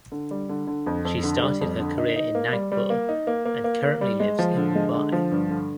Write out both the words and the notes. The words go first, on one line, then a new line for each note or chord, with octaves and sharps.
She started her career in Nagpur and currently lives in Mumbai.
D3
G3
D3
D3
F2
F2
D3
G3
F2
D3
D#4
D#4
A#3
G3
G3
A#3
D#4
A#3
A#3
A#3
A#3
G3
G#3
F3
D3
G#3
D3
F3
G2
D3